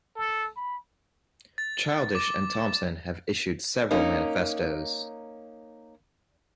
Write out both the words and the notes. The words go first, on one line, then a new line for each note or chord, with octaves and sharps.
Childish and Thomson have issued several manifestos.
A4
B5
A6
D6
A#3 C#4 D#4